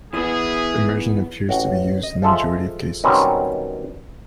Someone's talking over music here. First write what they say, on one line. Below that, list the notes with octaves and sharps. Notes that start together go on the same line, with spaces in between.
Immersion appears to be used in the majority of cases.
E3 G#3 B3 E4 G#4
A1 F#4
D#5
F3 G#3 A4 E5
B2 D#3 F#3 G3 C4 C#4